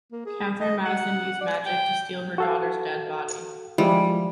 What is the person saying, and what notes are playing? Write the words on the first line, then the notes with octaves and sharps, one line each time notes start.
Catherine Madison used magic to steal her daughter's dead body.
A#3
G#4
D#5
F#5
D5
G5
F#4 A4 F5
F3 G3 G#3 E4